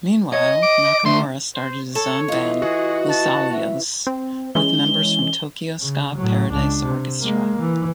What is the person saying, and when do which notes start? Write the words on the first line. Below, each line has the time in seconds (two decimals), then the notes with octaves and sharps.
Meanwhile, Nakamura started his own band "Losalios" with members from Tokyo Ska Paradise Orchestra.
0.33 C#5 D#5
0.63 D6
1.05 D3 A3 C6
1.55 C5
1.95 A4 C#5
2.28 E3 F4 D#5
2.62 F#4 G#4
3.09 A5
3.52 E5
4.07 C4
4.55 E3 G#3 C#4 G7
5.80 C#3
6.16 A2 F#3
6.51 C#2 D4
6.84 C3
7.21 G#3 A#3
7.60 E3